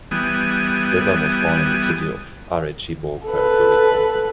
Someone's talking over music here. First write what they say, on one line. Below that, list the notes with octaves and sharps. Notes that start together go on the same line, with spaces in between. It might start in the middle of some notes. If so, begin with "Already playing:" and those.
Silva was born in the city of Arecibo, Puerto Rico.
E3 G3 B3 G#5 D#6
A4 B4